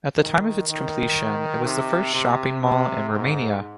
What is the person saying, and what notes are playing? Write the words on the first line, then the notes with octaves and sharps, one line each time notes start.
At the time of its completion it was the first shopping mall in Romania.
D#3
D#3
C3
C3
C3
G#2